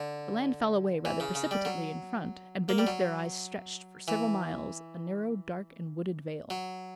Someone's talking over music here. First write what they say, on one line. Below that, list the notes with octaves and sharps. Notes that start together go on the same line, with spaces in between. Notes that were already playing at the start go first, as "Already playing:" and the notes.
The land fell away rather precipitately in front, and beneath their eyes stretched, for several miles, a narrow, dark, and wooded vale.
Already playing: D3
E3
C#3
C#3
G3
F#3
A#3
G3
F#3
E3
F#3